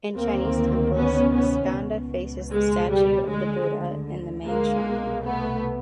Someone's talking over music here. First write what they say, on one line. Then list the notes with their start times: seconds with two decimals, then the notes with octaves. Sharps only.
In Chinese temples, Skanda faces the statue of the Buddha in the main shrine.
0.16 D2 C3 D#3 A#3 C4
0.94 B3 C#4
1.34 B3 C#4
1.73 C#2 B2
2.51 G#3
2.90 G3
3.28 D2 D3 G#3
4.45 G#3 A#3
4.85 C2 B2
5.24 A3 B3